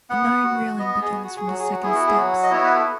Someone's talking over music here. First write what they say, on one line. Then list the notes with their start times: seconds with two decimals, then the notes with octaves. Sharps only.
An iron railing begins from the second steps.
0.10 B3 F#5
0.44 F#4
0.79 B3 D#5
1.02 G#4
1.12 F#4
1.24 F#4
1.37 G#4
1.47 F#3 F#4
1.59 G#4
1.72 F#4
1.82 B3 E4 G#4
1.95 F#4
2.07 G#4
2.16 F#3 F#4
2.43 D#5
2.50 B3 E4 C#5
2.64 B4
2.75 A4